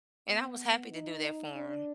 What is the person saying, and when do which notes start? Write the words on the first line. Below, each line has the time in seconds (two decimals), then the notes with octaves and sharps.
And I was happy to do that for him.
0.29 B3
0.92 D#4
1.56 D4